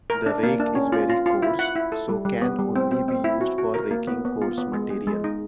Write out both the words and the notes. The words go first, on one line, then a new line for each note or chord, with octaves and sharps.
The rake is very coarse, so can only be used for raking coarse material.
A#4
D4
A#3
D4
C#4
F4
F4
F4
E4
F#5
E4
A4
G3
G3
B3
G3
C4
C4
C4
E4
F#4
F#4
A#4
A#3
B3
B3
F4
B3
G#3
G#4
G#3
D#4